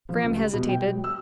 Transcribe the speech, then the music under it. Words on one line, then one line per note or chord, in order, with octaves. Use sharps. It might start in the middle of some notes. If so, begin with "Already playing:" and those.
Graham hesitated.
F3
C#2
G3
B2
G5
F#3
E6